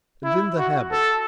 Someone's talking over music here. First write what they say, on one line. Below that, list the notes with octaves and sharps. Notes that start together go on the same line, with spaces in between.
And then the habit!
E4
F#4
A4